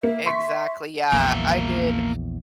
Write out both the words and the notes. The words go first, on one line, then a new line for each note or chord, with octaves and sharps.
Exactly, yeah, I did
A#3 E5
E5 C6 C#6 B6
A#1 E2 A#3 E5